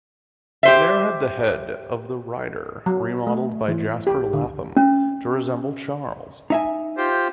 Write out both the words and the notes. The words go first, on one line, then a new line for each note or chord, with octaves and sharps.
Vyner had the head of the rider remodelled by Jasper Latham to resemble Charles.
G4 C5 E5
F#3
A3
E3
G4
D3
C#4
D#4 E5 G#5
F4 G4 C5